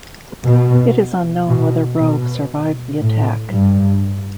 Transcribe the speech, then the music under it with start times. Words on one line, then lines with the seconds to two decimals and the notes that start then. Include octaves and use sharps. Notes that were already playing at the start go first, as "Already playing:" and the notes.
It is unknown whether Rowe survived the attack.
0.45 B2
1.47 B2
1.98 B2
3.00 A2
3.51 G2